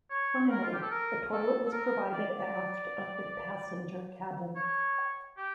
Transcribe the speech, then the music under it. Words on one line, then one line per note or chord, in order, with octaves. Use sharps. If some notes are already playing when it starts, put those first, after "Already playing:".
Finally, a toilet was provided aft of the passenger cabin.
C#5
A#4
F4
G4
A4
A#4
A4
A4
A#4
D5
D5
C#5
G4